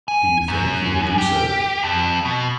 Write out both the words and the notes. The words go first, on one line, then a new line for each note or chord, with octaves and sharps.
"Do you think he will do so?"
G#5
F#2
G4
F2
B2